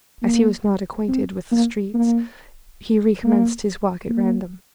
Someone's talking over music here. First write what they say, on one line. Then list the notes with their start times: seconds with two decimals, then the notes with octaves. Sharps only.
As he was not acquainted with the streets, he recommenced his walk at random.
0.22 A#3
1.08 C4
1.51 A#3
1.94 A#3
3.24 A#3
4.09 A#3